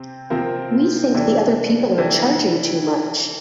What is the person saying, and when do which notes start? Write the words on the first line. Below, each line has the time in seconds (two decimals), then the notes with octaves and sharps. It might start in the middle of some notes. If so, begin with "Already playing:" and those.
We think the other people are charging too much.
Already playing: C3 C4
0.30 C3 F3 C4 F4 A#4
1.14 C3 E3 G3 D4 A4
1.97 C3 E3 G3 D4 A4